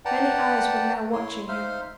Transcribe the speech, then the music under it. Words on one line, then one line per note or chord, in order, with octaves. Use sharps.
Many eyes were now watching him.
B4 D5 F#5 G5 A5 A#5
E4 C#5 C6
D#4 C5 E5 F5 C6 F6